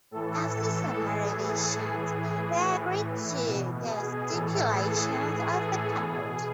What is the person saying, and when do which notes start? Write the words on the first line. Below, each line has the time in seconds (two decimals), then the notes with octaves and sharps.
After some revisions, they agreed to the stipulations of the Code.
0.11 A2 E3 A4
0.94 A2 E3 G#4
1.37 A4
1.78 A2 E3 G#4
2.19 G#4
2.61 A2 E3
3.45 B2
3.85 G#4
4.27 A2 E3 A4
4.69 G#4
5.10 A2 E3
5.52 A4
5.93 B2 G#4